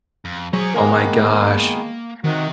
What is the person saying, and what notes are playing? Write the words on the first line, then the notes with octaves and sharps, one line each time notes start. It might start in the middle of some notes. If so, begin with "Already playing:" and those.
Oh my gosh,
F2
F#3 G#4 C5 G#5 A#5 C#6
D#3 G#3 A#3 B3 A#4 G#5
C3 D#3 F#4